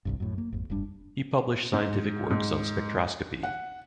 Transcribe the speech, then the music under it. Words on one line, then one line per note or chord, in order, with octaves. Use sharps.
He published scientific works on spectroscopy.
G1 C2 G2
F#2 A2
A#3
G#1 F2
F1 G2 G3 D4
G#2
G#2
F#5